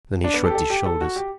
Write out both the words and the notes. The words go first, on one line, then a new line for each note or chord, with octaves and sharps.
Then he shrugged his shoulders.
D4
B3
A4
G4
A4
G4
A4
F#4
G4